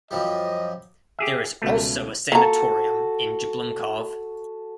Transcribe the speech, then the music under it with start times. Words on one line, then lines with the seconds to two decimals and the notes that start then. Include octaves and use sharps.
There is also a sanatorium in Jablunkov.
0.11 F#2 F3 G3 D#5
1.19 G4 G#4 E5
1.62 C#2 B2 A3
2.32 A#3 F#4 A4 A#5